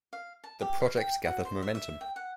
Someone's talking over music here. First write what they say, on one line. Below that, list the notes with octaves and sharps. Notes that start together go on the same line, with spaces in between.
The project gathered momentum.
F5
A5
G4
F5
G5
F#4
C5
E5
E5
G5
F#5